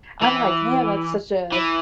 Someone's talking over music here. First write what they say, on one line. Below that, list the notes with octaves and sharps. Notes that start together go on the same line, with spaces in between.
I'm like, "Man, that's such a"
E3
E3